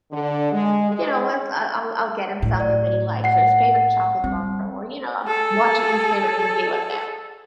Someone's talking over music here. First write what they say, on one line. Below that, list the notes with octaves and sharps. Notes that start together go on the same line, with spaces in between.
You know, let's I'll I'll I'll get him something that he likes, or his favorite chocolate bar or, you know, I'm watching his favorite movie with him.
D3
G#3
G#3
A2
D5
F#5 C7
G3 C4
G#4 A4